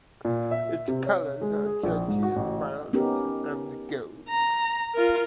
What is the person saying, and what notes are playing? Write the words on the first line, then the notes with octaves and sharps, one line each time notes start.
Its colors are "gentian violet" and gold.
A#2
E5
C3
C#5
G#3
G#4
A#1
G#2
F#4
A1
B3 C#4 D#4 G4 A#4
A#5
F4 A#4